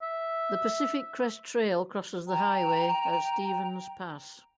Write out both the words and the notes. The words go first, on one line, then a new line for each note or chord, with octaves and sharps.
The Pacific Crest Trail crosses the highway at Stevens Pass.
E5
G5 A#5